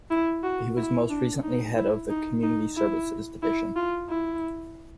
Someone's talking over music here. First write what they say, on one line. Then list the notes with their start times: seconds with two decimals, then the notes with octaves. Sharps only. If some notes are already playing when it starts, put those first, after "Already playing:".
He was most recently head of the Community Services Division.
0.10 E4
0.43 F#4
0.77 E4
1.10 D4
1.43 D#4
1.77 E4
2.10 D#4
2.43 D#4
2.76 E4
3.43 E4
3.76 F4
4.09 E4